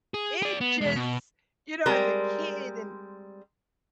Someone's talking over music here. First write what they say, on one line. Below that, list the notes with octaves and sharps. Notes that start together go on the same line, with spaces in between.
it just you know, as a kid, and
G#4
G#4 D5
B3
E2 G#3
B2
G3 G#3 C4 A#4